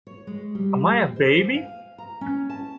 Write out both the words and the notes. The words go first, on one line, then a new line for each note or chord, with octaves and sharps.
Am I a baby?
C#5
G#3
G3
C5
G#5
F5
A#5
C#4
A5